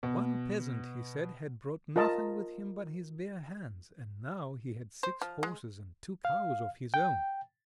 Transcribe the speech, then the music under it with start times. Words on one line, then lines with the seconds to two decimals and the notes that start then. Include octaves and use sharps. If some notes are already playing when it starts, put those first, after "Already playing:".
One peasant, he said, had brought nothing with him but his bare hands, and now he had six horses and two cows of his own.
0.03 B2
1.96 F4 A#4 D#5 A5
5.03 C5
5.22 F3
5.43 G#3
6.25 F5
6.94 G5